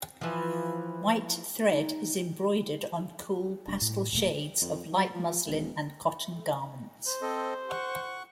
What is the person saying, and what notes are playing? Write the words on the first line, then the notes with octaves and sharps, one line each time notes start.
White thread is embroidered on cool, pastel shades of light muslin and cotton garments.
E3 F3
D#4
F1 G3 D4
A2
E1 A#2 A3 A#3
F2
F#3
F3
E1
C5
C4 A4 D#5
F#5 C#6